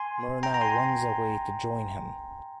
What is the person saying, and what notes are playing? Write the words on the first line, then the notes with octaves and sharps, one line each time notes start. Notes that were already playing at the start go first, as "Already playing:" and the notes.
Merna runs away to join him.
Already playing: G#5 C6
G5 A#5
A#5
G#5 C6